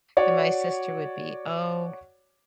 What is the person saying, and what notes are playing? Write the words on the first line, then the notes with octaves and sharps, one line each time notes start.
And my sister would be, "Oh,
F#4 C#5 D5